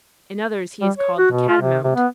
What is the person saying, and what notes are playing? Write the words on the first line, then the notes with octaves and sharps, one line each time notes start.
In others he is called the Catamount.
G3
C#5
F#4
B2
F4
C3
C3
B3